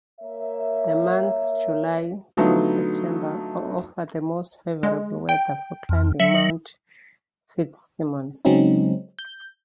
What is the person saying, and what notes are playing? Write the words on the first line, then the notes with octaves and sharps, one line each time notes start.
The months July through September offer the most favorable weather for climbing Mount Fitzsimmons.
A#3 A#4 C#5 E5
D3 F#3 A3 B3 D#4 F4
G#3
G5
F2
F#3 E5
C#3 F#3 G#3 C4 C#4 D#4
G6